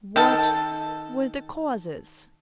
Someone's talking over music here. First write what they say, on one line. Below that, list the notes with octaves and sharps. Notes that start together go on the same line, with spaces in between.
"What... were the causes?"
D#3 A4